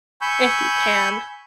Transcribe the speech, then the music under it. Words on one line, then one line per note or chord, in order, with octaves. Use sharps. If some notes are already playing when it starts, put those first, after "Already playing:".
If you can.
G#5 B5 C#6 E6 G6